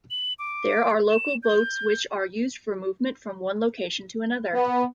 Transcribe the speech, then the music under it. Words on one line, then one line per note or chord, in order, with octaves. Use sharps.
There are local boats which are used for movement from one location to another.
F#7
D6
E7
G6
B3